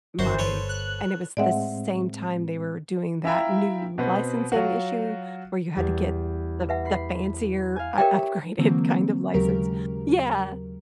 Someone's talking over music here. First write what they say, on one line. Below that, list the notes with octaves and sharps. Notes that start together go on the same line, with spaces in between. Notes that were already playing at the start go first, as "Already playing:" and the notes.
my and it was the same time they were doing that new licensing issue where you had to get the the fancier u upgraded kind of license. Yeah.
G1 F#2 F#4 C5
A4 B4 C#5
F#6
A2 G#3 C4 D5 E5 F#5
E4 F4 E5 G5 A#5
B2 B3 C4
F#3 F4 F#4
E2 G3 A6
B4 E5 F#5
B5 C7
F5 G#5
G4 A#4 C#5 E5 G5
D3 E3 F#3 A#3 C4
D#2 C#3 F#3 G#3 G4 A#4